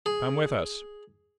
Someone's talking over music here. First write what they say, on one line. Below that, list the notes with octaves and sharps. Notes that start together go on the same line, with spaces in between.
"Come with us!"
G#4